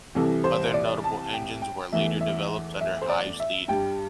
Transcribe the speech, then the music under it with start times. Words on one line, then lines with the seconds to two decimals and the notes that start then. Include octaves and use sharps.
Other notable engines were later developed under Hives' lead.
0.15 C2 C3 E3 G3 A4
0.44 C5
0.74 D5
1.04 A5
1.34 G5
1.62 G5
1.92 E2 E3 A3 E5
2.21 E5
2.81 E5
3.02 C5
3.09 D5
3.40 E5
3.68 G2 G3 G5